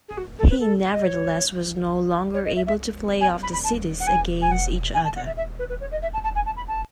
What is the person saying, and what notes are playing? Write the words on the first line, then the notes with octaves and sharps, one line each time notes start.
He nevertheless was no longer able to play off the cities against each other.
G#4
F#4
A4
B4
A4
D#5
C#5
C#5
D#5
E5
E5
G#5
B5
B5
A5
F#5
G#5
G#5
F#5
G#5
A5
F#5
E5
E5
B4
B4
C#5
D#5
E5
A5
A5
G#5
A5
B5
A5